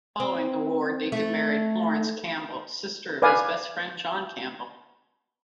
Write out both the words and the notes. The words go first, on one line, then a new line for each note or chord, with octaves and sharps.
Following the war, Deacon married Florence Campbell, sister of his best friend John Campbell.
C4
A3
B4 D5 F5 G#5